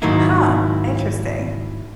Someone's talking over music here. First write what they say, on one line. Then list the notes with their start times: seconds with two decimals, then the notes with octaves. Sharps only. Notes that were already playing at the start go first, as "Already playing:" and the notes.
Huh. Interesting.
0.02 G#2 D#3 F#3 A#3 D#4 E4